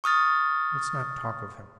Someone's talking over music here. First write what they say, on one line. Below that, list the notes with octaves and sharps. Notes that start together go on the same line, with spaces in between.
Let's not talk of him.
C#6 D#6 F6 A6